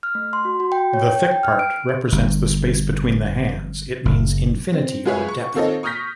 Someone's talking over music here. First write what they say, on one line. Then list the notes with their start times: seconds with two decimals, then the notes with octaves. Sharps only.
The thick part represents the space between the hands, it means infinity or depth.
0.03 F6
0.15 A3
0.33 C6
0.45 F#4
0.60 F#4
0.72 G5
0.94 C#5
1.06 G5
1.31 G5
1.43 F6
1.59 D7
1.89 G4
2.12 G1
4.05 F#1
4.73 C4
5.05 G#3 F4 G#4 B4 C#5 E5
5.28 C#6
5.54 D#3 C4 F4 A4 C#5 D#5
5.83 C#6 D#6 F6 G6 A#6 B6